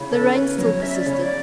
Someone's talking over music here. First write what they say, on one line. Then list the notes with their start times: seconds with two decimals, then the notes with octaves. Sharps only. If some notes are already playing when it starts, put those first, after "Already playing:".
The rain still persisted.
Already playing: C#3 E4
0.11 C#3 A4
0.35 C#4 B4
0.58 F#3 C#5
0.82 C#4 E5
0.95 D5
1.06 C#3 C#5
1.22 D5